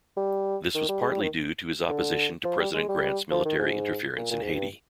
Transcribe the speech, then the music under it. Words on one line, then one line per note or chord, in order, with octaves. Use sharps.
This was partly due to his opposition to President Grant's military interference in Haiti.
G3
D#3
G3
G#3
G3
D#3
D3
F3
G3
G#3
G3
F3
D#3
G#2
A#2
A#2
G#2
G2